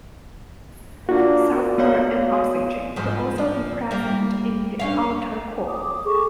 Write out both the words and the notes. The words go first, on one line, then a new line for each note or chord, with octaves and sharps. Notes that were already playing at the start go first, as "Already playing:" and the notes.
Sulfur and oxygen could also be present in the outer core.
A#3 D4 F4 F#4
B3 F#4 C#5 D5 F5
G#2 F3
F3
G3 A#3
G2 C#4 F5
D6 D#6
G#4 A4 C#6 D6